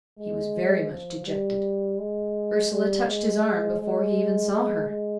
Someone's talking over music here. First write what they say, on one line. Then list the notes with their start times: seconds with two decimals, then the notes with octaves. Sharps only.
He was very much dejected--Ursula touched his arm before he even saw her.
0.18 G#3
0.90 F3
1.26 G3
1.99 G#3
2.72 G3
3.08 G#3
3.80 G#3
4.53 G#3
4.89 G#3